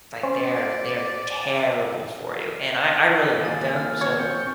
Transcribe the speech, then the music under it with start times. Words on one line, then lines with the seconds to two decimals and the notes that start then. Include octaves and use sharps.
Like, they're they're terrible for you, and I I really like them, so,
0.23 C#4 C5 D5
3.41 D#3 F3 A#3 G#5 D#6 A6
3.76 F6
4.01 C#5
4.19 C4 G5 C#6